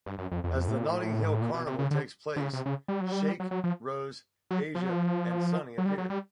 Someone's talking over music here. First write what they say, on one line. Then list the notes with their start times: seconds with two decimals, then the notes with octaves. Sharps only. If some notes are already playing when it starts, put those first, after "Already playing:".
As the Notting Hill Carnival takes place, Shake, Rose, Asia, and Sunny appear.
0.06 G2
0.18 F#2
0.31 F2
0.44 F2
0.50 E2
0.58 F2
0.68 A2
0.77 A#2
0.85 A2
1.23 G#2
1.33 A2
1.42 A#2
1.54 B2
1.66 C3
1.79 C#3
1.91 D3
2.36 D3
2.40 C#3
2.53 C3
2.66 C#3
2.88 G3
3.01 F#3
3.12 G3
3.40 F#3
3.51 F#3
3.64 F3
4.51 F#3
4.75 F3
4.82 F#3
4.90 F3
5.78 F#3
5.86 G3
5.98 F#3
6.10 G3